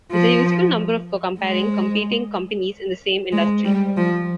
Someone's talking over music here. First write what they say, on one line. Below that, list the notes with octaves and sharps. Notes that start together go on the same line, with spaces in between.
It's a useful number for comparing competing companies in the same industry.
F3
G#3
G#3
G3
F3